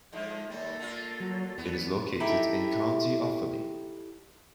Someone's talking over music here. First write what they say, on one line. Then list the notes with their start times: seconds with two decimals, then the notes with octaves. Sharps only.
It is located in County Offaly.
0.12 G#2 D3 F3 G#3
0.50 D#2 G3 A#3 A4
0.79 D3 F4
1.20 F#3
1.58 E2 B3
2.20 D#4 E4 G4 A4